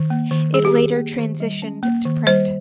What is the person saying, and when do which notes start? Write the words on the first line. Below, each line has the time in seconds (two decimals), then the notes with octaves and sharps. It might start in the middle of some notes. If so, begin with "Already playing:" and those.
It later transitioned to print.
Already playing: D#3
0.10 A#3
0.31 D#3
0.53 G3 G#4
0.65 G4
0.75 D#3 G#4
0.96 A#3
1.18 D#3
1.40 G3
1.62 C#4
1.83 A#3
2.05 D#3
2.27 G3 C5